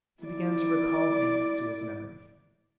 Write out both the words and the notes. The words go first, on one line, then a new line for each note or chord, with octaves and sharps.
He began to recall things to his memory.
E4 D5